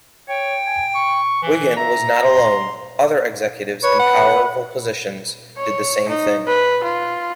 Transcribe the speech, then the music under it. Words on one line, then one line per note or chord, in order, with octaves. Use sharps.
Wiggin was not alone, other executives in powerful positions did the same thing.
C#5 G5
G#5
C#6
E3
E5 A#5
C6
B4 C#5
F#5
C#5
D#4
B4
F4